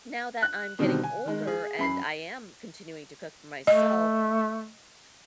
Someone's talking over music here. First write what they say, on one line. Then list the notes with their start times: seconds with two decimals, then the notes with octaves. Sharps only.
now that I'm getting older and I am continuing to cook for myself,
0.42 F#6
0.79 B2 D3 D#3 G3 C4
1.03 G#5
1.25 D#3 G#3
1.47 G#4
1.79 F#2 B5 C7
3.67 A3 D#5